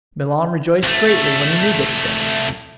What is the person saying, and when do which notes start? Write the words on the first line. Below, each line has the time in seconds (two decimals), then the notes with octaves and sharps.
Milon rejoiced greatly when he knew this thing.
0.83 C2 A3